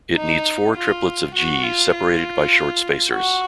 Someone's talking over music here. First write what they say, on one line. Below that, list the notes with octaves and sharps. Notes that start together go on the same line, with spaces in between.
It needs four triplets of G, separated by short spacers.
D#4
F4
F#4
F4
F4
F#4